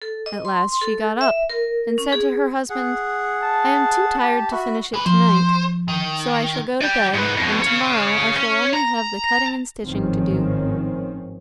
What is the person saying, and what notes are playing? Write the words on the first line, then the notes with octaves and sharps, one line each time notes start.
At last she got up, and said to her husband: 'I am too tired to finish it to-night, so I shall go to bed, and to-morrow I shall only have the cutting and stitching to do.'
A4
D#5
C6
A4
E5
A#4
C#4
G#4
G#4 F#5
A5
G4
F#4 E5 B5
G#3 B4
F3 C5
D#3
D5 G5
G#2 B4
F2 B2
C#5 F5
C#4
A#5
G#1 A2 D#3 F3 C4 C#4